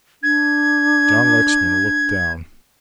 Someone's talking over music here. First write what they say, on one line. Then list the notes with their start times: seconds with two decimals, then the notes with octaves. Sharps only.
John Lexman looked down.
0.23 D4 G#6